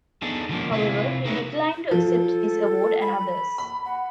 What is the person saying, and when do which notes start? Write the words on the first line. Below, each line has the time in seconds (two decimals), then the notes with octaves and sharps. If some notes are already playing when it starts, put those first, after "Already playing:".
However, he declined to accept this award and others.
0.22 B3 D4 D#4 G#4 A4
0.49 D3 F3 G#3 A#3 C#4
0.71 C3 C4 E4 F4
1.25 D#4 G#4 A#4 B4 C#5 E5
1.91 F3 A4
3.01 B5
3.58 B5
3.86 F#5